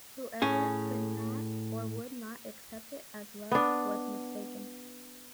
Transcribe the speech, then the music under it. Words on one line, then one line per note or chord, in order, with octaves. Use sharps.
Whoever could not or would not accept it as love was mistaken.
A2 C#4 G#4
B3 D4